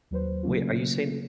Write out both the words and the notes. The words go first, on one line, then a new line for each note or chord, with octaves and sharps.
Wait, are you saying
D#2 F#3 B4 C5
C#3 F#3 A3 A#3 C#4 F4